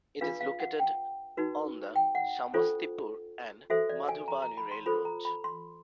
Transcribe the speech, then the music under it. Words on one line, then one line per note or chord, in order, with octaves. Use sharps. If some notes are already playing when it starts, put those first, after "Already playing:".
It is located on the Samastipur and Madhubani rail route.
D4 F4 G#4 B4 F5
F5
F#5
G5
D#4 F#4 B4
G5
F#5
D4 F4 A4 C5
F#4 A4 C5 E5
D5
G#5
A#5
A#5
B5
C6
F4 A4 C5 B5
A#5
B5
C6